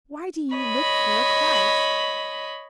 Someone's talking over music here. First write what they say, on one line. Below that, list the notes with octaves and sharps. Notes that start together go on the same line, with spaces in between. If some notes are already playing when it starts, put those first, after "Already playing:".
Why do ye look for a Christ?
C#5 D#5 B5